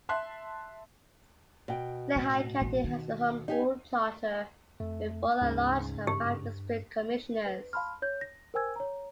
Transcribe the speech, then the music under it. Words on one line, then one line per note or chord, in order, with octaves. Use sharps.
Lehigh County has a home-rule charter with four at-large and five district commissioners.
E5 A5 C6 F#6
B2 G5
A2
A1
D#3
D#4 G4 G#5
F2 A3
D2 G#2 C#3
G2 G4
B4
F5 A5 B5 C6 F6
C#5 G6
A#6
A#4 C5 G5 G#5 E6 G#6
C#5 A#5